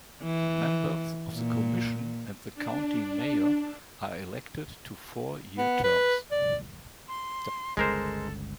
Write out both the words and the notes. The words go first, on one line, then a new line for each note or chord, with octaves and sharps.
Members of the commission and the county mayor are elected to four year terms.
E3
A#2
D4
B3
B4
D5
C6
G1 C#2 G#3 A4 A#4 C5